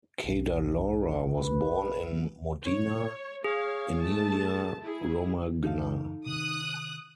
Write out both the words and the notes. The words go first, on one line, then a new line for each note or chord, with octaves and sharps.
Cadalora was born in Modena, Emilia Romagna.
B1 F#2
B4
C#5
G#4 C#5 F5
A3 A5
E4 G#4
F#2 E3 D#4 A4 F5
C3 D#3 D#6 F#6